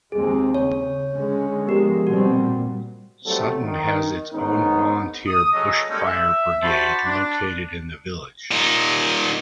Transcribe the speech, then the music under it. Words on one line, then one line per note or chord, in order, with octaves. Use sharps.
Sutton has its own volunteer Bush Fire Brigade located in the village.
D#2 G#3 C4 G#4
C#3 C#5
D3 G#3 C#4
D3 F3 G#3 B3 G4 A#4
B2 G3 C4 F#4
A#2
F#3 G3 A3 C4 A4
D#3
G#2 D#3 B3 C#4 D#4
D#6
C#3 F#3 A4 D#5
G3 G#3 A#3 C#4 D#4 A4
E5
D4 F#4 C5 A5 B5 C6
D4
A#2 D#4